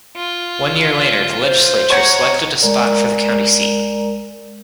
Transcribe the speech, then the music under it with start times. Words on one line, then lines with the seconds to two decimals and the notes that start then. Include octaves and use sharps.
One year later, the legislature selected a spot for the county seat.
0.16 F4
1.44 C5
1.90 C#5 F#5 A#5 G#6
2.62 G#3 A#4 D5 A#5